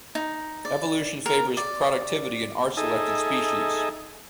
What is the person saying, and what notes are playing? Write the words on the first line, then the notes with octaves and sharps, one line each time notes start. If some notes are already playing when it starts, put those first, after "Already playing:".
Evolution favors productivity in r-selected species.
D#4
D5
A#4
D5
D#4 G#4 A4 D#5 E5